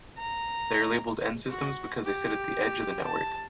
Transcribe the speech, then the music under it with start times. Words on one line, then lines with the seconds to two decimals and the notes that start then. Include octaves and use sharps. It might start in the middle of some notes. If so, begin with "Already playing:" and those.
They are labeled end systems because they sit at the edge of the network.
0.18 A#5
1.50 F#4
2.05 G4
3.05 A5